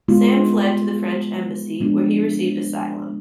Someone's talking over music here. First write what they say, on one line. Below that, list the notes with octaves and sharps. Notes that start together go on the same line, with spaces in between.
Sam fled to the French embassy, where he received asylum.
G#3 B3 F4
F3 G#3 B3 D4